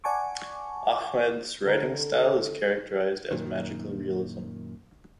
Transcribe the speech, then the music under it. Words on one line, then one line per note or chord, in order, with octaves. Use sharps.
Ahmed's writing style is characterized as magical realism.
D5 F#5 G#5 A5 C#6 D6
D3 A4 A#4 A#5
F#2 A#2 D#3